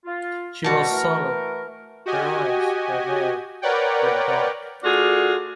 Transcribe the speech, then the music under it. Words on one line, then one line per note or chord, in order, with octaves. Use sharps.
She was sallow; her eyes, her hair, were dark.
F4
B2 G3 F#4 A5
E3 A3 A#4
F#4 G4 D#5 G#5
A#4 B4 C#5 D5 F#5 G5
A3 D4 F4 F#4 G#4